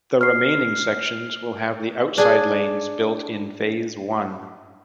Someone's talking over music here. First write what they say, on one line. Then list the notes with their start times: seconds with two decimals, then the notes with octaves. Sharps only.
The remaining sections will have the outside lanes built in Phase One.
0.21 F6 C7
2.18 D4 G#4